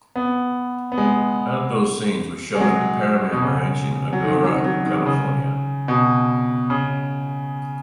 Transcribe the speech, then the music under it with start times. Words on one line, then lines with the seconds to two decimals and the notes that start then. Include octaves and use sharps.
Outdoor scenes were shot at the Paramount Ranch in Agoura, California.
0.16 B3
0.92 B3
0.98 G#3
2.55 G#3
2.60 F#3
3.32 B2
3.42 C#3
4.13 F#3
4.24 D#3
4.44 F#3
4.55 D#3
4.64 F#3
4.86 D#3
5.06 C#3
5.88 B2
6.70 C#3